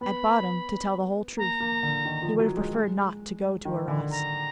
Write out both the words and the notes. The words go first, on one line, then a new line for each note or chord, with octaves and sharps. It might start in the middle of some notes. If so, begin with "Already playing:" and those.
At bottom, to tell the whole truth, he would have preferred not to go to Arras.
B3 B5
A#3 A#5
A#3
D3
D#3
F3
F#3
G#3
G#3
D#3
D3
A#5